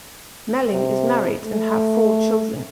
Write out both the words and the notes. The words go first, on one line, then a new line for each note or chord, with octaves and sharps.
Meling is married and have four children.
C3
A3